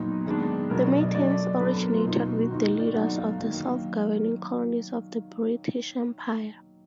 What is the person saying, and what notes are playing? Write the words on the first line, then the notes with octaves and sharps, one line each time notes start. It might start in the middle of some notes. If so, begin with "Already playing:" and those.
The meetings originated with the leaders of the self-governing colonies of the British Empire.
Already playing: A#2 F#3 B3 D#4 F#4
D#3 G#3 B3 D4
B2 F#3 B3 A#4
D5
D#5
D3 F#3 D4 D5
D3 F#3 B3 B4
B4
A#4
F4
B2 A#3 D#4 F4
F#4
F#4
D#3 A#3 D#4 F4
F#4
D5
D3 F#3 B3 D#4 F#5
F5
D#3 F#3 A#3